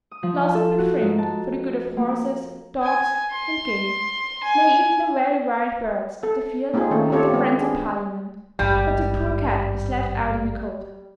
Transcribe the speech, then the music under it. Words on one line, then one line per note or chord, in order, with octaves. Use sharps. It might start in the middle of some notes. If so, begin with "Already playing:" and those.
Laws have been framed for the good of horses, dogs, and game; nay, even the very wild birds of the field have their friends in Parliament; but the poor cat is left out in the cold.
D#6
F3
A4
F#4
G#2
A5
A#3
G#5
C6
G#5
A4
A#3 C4 D#4 F4 G#4 C5
D#3 A3 C#4 A4
C4 F4 G4 A4 C#5
G#3 B3 C4
D4 G#4
G#1 G2 G3